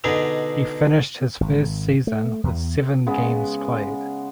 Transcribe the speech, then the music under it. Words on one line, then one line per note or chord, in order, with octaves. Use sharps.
He finished his first season with seven games played.
B2 D3 D4 D#4 G#4 B4
G#1
A3
E2
C#3 G#3 B3